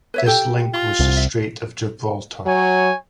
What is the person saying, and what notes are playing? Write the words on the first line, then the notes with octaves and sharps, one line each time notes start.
This link was the Strait of Gibraltar.
B4 C#5 E5
G4 A4 G5
F4
C2
E5
F#3 C#5 G#5